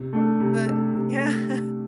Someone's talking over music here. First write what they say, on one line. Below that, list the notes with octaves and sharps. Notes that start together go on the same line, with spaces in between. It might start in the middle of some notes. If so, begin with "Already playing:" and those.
but Yeah.
Already playing: C3
A3 D4 A4
C3
A3 D4 A4
C3
A3 D4 A4
C3